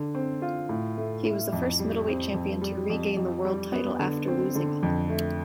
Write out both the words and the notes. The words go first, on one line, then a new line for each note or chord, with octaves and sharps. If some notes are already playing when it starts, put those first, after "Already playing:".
He was the first middleweight champion to regain the world title after losing it.
Already playing: D3
C4
F4
A2
A3
E4
F2
G3
C4
F2
G3
F2
F2
G3
B3
D3
C4
D3
F2
A3